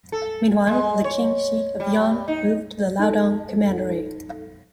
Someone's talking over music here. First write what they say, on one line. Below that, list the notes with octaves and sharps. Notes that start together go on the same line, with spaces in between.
Meanwhile, the King Xi of Yan moved to the Liaodong Commandery.
A4
G#3
C#5
G3
D#4
D#4 A4